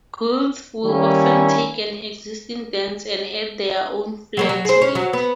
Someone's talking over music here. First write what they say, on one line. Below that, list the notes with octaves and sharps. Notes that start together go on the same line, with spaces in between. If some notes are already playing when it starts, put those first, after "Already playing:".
Guilds will often take an existing dance and add their own flare to it.
D#3 G3 A#3 C#4 E4
F#3 G#3 A#3
F#3
G#4 C5
C#4
F#3
B3